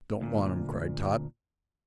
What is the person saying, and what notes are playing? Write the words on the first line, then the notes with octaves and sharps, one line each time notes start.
"Don't want 'em!" cried Tot.
D2 A#2